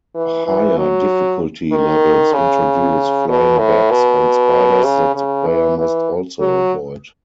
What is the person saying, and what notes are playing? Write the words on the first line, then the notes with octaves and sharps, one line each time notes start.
Higher difficulty levels introduce flying bats and spiders that the player must also avoid.
E3
E3
F#3
D#3
C#3
B2
A2
B2
C#3
C#3
E3
E3
F#3